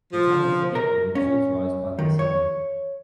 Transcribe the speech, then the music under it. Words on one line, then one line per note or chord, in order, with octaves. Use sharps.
The town of Fayetteville was authorized by the assembly.
F3
A#4
C#4
D#3
C#5